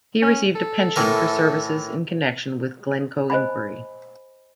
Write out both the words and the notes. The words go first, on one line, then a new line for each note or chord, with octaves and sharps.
He received a pension for services in connection with Glencoe inquiry.
C#4
A4
A2 E3 A#4
C5 D#5 G#5 B5